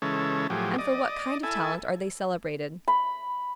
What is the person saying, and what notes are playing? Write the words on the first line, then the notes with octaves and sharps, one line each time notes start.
And for what kind of talent are they celebrated?
C#3 E3 G#3 C#4 A4
A2 F3 F#3 G4 G#4
D5 D#5
E4 A4 G#5
B5